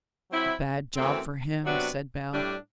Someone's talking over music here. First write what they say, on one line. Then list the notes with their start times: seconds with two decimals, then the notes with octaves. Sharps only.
"A bad job for him," said Bell.
0.29 F#3 C4 E4
0.96 F#2 E3 A3 C4
1.64 C3 F#3 B3 D4 F#4
2.32 A2 G3 D4